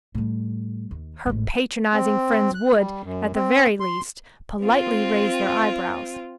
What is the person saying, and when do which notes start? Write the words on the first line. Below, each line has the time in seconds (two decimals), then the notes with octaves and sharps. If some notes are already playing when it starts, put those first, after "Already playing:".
Her patronizing friends would, at the very least, politely raise their eyebrows.
0.15 A2 G3
0.91 D#2
1.26 A1 G#2
1.94 C4
2.54 F#6
2.77 G3
3.04 F#2
3.35 C4
3.80 C6
4.62 C4 F4